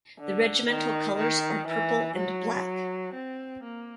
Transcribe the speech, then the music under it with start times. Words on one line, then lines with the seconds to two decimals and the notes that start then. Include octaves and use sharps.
The Regimental colours are Purple and Black.
0.20 D3
0.69 D#3
1.17 D#3
1.67 E3
2.16 F#3
3.15 C4
3.64 A#3